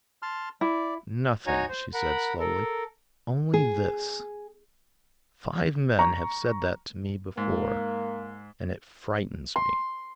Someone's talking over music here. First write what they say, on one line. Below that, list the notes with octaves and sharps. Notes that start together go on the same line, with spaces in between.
"Nothing," she said slowly, "only this: five men have said that to me before, and it frightens me."
A5 C6 F6
E4 D5
D#4 F#4 C#5 G#5 A#5
C5
A#4 F#5 B5
A4 A#4
G#4
A#5 C#6
G#2 A#3
C6